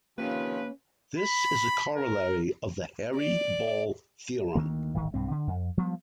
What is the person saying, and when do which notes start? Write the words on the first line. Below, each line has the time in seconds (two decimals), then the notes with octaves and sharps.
This is a corollary of the hairy ball theorem.
0.18 C3 D#3 F3 A#3 C#4 F4 B4
1.19 B5
1.97 A#4
3.17 D5
4.55 D2 D#3 A#3
4.94 D1 G#1 D#3
5.14 B1 G2 C4
5.31 D3
5.47 F2
5.77 F3 G3 B3